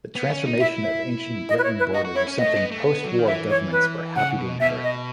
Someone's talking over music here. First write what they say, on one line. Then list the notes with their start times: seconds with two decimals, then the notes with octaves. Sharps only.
The transformation of ancient Breton borders was something post-war governments were happy to inherit.
0.15 B3
0.30 C#4
0.45 D#4
0.60 E4 E5
0.82 E5
1.49 D#5
1.59 B4
1.64 C#5
1.79 B4
1.93 F#4 D#5
2.05 F#4
2.15 E4 C#5
2.27 C#4
2.38 B3 D#5
2.47 A3
2.56 B3
2.71 A3
2.83 B3
3.05 F#3
3.19 D#3
3.27 E3 E5
3.50 C#5
3.72 B4
4.16 C#3 F#5
4.38 B2
4.60 B2 E5
4.83 D#5